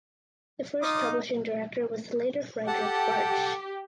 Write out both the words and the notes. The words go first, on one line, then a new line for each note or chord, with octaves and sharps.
The first publishing director was the later Friedrich Bartsch.
D#4 F4 D6 D#6
G4 A4 F#5 A5